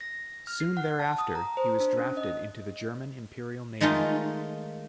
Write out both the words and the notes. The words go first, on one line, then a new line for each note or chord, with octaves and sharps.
Soon thereafter, he was drafted into the German Imperial Navy.
A#6
F6
C7
F#5
A5
D#6
A#5
C5
D4
C#4
D#5
D#3 G#3 A3 D#4 F4